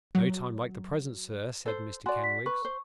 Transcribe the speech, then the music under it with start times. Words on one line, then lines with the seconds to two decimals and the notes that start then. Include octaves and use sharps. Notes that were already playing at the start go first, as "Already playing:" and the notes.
'No time like the present, sir,' said Mr Kenwigs.
0.15 F#3
1.66 A4 C5
2.06 F#4 D5 G#5 C6
2.24 B6
2.46 B4 C#6
2.65 C5